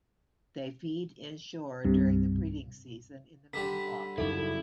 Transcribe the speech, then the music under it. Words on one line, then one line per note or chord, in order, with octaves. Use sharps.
They feed inshore during the breeding season in the midwater.
C2 G2 C3
D3 G3 A5 B6
F#2 C#3 D#4 E4 A4